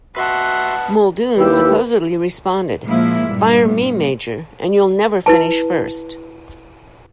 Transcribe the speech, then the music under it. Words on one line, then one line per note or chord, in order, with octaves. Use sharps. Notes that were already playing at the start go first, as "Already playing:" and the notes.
Muldoon supposedly responded, Fire me, Major, and you'll never finish first.
F#4 B4 D#5 E5 F#5 A5 C6
D#2 E4 G4 B4 E6
A#2 F3 G#3 A#3 E4
G2 A#2
E4 B4 A5